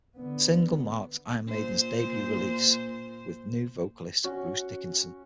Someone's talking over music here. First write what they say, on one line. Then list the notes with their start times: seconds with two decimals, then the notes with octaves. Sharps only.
The single marked Iron Maiden's debut release with new vocalist Bruce Dickinson.
0.17 D3 B3
1.49 A#2 C5
4.24 C#4 F#4